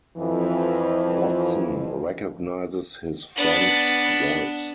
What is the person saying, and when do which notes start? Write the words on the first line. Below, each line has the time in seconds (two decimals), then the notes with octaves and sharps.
Watson recognizes his friend's voice.
0.17 F2 E3
3.36 B3 D4